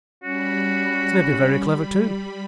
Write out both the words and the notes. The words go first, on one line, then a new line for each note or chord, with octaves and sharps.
This may be very clever too.
G3 C#4 F#4 B5